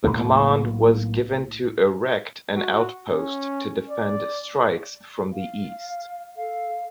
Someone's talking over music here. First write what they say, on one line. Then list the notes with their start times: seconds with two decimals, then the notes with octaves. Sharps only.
The command was given to erect an outpost to defend strikes from the east.
0.04 B1 F2 A2 A#3
2.56 F#4
3.09 C#4
3.90 D5
5.33 F5
6.36 A4 F5